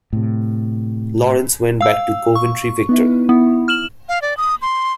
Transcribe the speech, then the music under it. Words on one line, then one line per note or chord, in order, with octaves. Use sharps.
Lawrence went back to Coventry-Victor.
A2 C3
F5 E6
C#6
B3 D#4 E4
B3 E4
F6 E7 F#7
F5
D5
D#6
C6